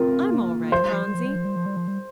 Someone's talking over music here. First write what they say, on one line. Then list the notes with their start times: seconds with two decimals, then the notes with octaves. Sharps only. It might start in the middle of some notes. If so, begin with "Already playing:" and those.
I'm all right, Phronsie.
Already playing: C4 F4 A#4
0.30 A#3
0.72 F3 C5
0.83 G3
0.93 F3
1.04 G3
1.15 F3
1.25 G3
1.35 F3
1.45 G3
1.56 F3
1.66 G3
1.77 F3
1.88 G3